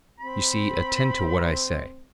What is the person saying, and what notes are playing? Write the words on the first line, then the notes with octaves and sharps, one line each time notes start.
You see, attend to what I say.
C4 B5